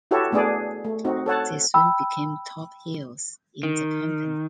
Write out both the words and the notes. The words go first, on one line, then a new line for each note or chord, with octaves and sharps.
They soon became top heels in the company.
E4 F#4 G4 A4 C#5
A3 B3 D4 G#4 D5
A3
C4 D#4 F#4
A4 C#5 F#5 A5
G5 B5 E6
D#3